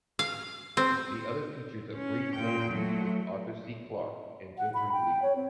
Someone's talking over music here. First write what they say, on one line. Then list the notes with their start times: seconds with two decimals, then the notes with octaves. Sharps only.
The other features a brief interview with Arthur C. Clarke and Gentry Lee.
0.19 F5
0.77 C4
1.95 C#4
2.34 A#2 G5
2.71 F#3 A3
4.58 F#5
4.74 B5
4.92 G5
5.22 C#5
5.36 C4